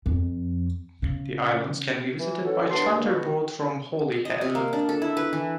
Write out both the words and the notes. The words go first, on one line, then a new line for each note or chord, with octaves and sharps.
The islands can be visited by charter boat from Holyhead.
F2
C#3
E3
E3 C#4 F#4 A4
G2 F#3 B3 B4 A5 C6
D#2 D3 D#3 G#3 A#3
B2 F#4
D#5
C3
A#3
D4
A4
E4
B4
E3